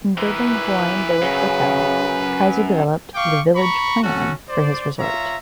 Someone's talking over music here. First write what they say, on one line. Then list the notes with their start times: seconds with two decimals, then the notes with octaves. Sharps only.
In building the Hawaiian Village Hotel, Kaiser developed the "village plan" for his resort.
0.18 E3 A#4 B4
1.22 F#2 C#3
3.14 F5 G5 C#6 D6
3.55 A#5 B5 C#6
4.03 C#4 F#4 A4 F#5
4.49 C5 D5
4.99 F4 C#5 E5 A#5